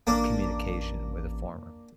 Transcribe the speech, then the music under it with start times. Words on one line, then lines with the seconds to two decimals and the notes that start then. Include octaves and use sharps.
communication with a former?
0.07 A1 A#3 D4